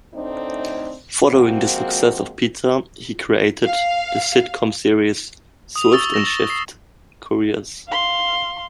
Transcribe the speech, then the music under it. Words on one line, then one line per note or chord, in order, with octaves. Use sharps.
Following the success of "Pizza", he created the sitcom series "Swift and Shift Couriers".
D2 A2 C4 D4 D#4
C3 F3 G#3 A#3 C4 F#4
F5
D#6 F7
C#6 E6 A6 G7
A#6 E7
A6
C7
F5 C6